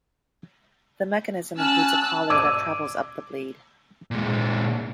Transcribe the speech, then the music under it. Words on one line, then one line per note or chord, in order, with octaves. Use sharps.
The mechanism includes a collar that travels up the blade.
C#4 A5 E6 F#6
D6 E6 G#6 D#7
A#2 G#3